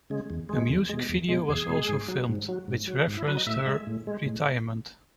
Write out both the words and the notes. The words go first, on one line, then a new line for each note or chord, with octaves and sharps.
A music video was also filmed which referenced her retirement.
C#3 G#3
E2
B2 G#3
E2
B2 G#3
E2
B2 G#3
E2 G#4
B2 G#3
G#2
F#3
G#2
F#3
G#2
F#3
G#2
E4
F#3 B4
D#5
A2 E5
G#3
A2
G#3
A2